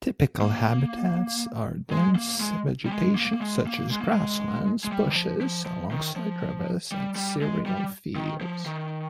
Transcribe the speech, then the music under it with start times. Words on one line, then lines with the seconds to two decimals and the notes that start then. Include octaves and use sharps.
Typical habitats are dense vegetation such as grasslands, bushes alongside rivers and cereal fields.
0.41 A#3
1.91 G#3
2.16 A#3
2.41 G#3
2.86 G3
2.92 G#3
3.16 A#3
3.34 A#3
3.41 G#3
3.67 A#3
3.91 G#3
4.01 A#3
4.12 G#3
4.84 G#3
4.92 G3
5.10 D#3
5.16 F3
5.41 F3
5.66 F3
5.91 D#3
6.16 F3
6.92 G3
7.16 G3
7.42 G#3
7.66 G3
8.16 D#3
8.41 F3
8.66 D#3